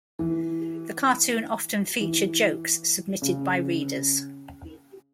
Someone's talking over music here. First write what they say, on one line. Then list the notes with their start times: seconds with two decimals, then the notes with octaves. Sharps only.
The cartoon often featured jokes submitted by readers.
0.19 E3
2.01 E3
3.22 C#3